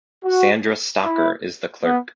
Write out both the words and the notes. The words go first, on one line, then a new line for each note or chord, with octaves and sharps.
Sandra Stocker is the Clerk.
F#4
E4
B3